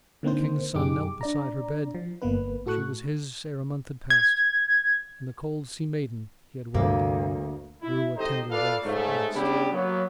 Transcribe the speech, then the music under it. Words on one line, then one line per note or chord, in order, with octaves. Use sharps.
The king's son knelt beside her bed: She was his ere a month had passed; And the cold sea-maiden he had wed Grew a tender wife at last.
D3 A#3 C4 D#4 C5
F#2 B2 D#4 G4 G#4 D6
D4 D5 A#5
F3
G1 A#3 B3 B4
A2 F#4 A4 C#6 F#6
G#6
D2 G2 C3 A#3
E4
G#1 D#4 G4 A4 C5 D#5
F4 A4 B4 D5 F5
G#2 C#3 G#3 A3
C#3 G3 B3 D4 E4 G4
F#3 A#3 B3